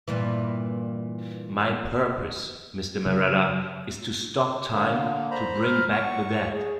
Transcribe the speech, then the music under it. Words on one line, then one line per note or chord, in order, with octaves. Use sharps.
My purpose, Mr. Marratta, is to stop time, to bring back the dead.
G2 A#2 E3
C#3 F#3
D3 A#3
C5 A#5 B5
F6
F#5 C#6
G#4